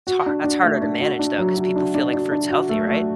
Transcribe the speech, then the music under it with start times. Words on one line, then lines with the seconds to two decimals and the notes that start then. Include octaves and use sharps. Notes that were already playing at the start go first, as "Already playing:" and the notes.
It's har that's harder to manage, though, 'cause people feel like fruit's healthy, right?
0.07 F#4
0.26 D4
0.44 D4
0.63 A3
0.82 D4
1.00 F#4
1.19 D4
1.38 F#3
1.57 F#3
1.76 D4
1.95 D4
2.13 D4
2.31 D4
2.50 F#4
2.69 A3
2.87 A3